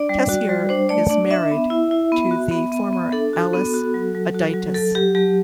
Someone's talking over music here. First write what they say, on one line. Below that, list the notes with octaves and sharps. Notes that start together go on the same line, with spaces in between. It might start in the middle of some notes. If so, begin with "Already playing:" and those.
Tessier is married to the former Alice Audietis.
Already playing: D4 D5
G3
F#4
G3
D4 C5
A3 D5
D4 D5
D4 E5
B3
E4
E4
B3
F#4
B3
B3
B3
D4 A4
F#4
B3
F#4
F#3
F#3
F#4
F#3
F#3 A4
F#3 G4
F#3 G4